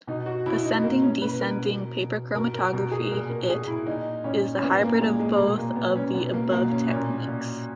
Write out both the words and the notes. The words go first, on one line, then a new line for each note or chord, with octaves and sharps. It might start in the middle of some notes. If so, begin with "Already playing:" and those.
Ascending-Descending Paper Chromatography-It is the hybrid of both of the above techniques.
B2 D#4
F#4
B2 E4
D#4
B2 A#3
C#4
B2 B4
A#4
B2
B2
B2 A#4
A#4
B2 A#4
G#4
A#2 A#4
A#4
A#2 G#4
E4
A#2 D#4
A#2 C#4
C#4
A#2 B3
A#3
A#2 G#3
G#3
B2 G#3
A#3
B2 B3
C#4
B2 B3
A#3
B2 A#3
C#4
A#2 C#4
A#2